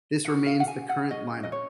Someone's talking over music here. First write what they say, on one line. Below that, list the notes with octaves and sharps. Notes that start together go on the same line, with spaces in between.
This remains the current lineup.
D#4 F#4 A#4 F#5
F5
F#5
G#5
F#5
C#4 G#4 D#5
D#5
C#5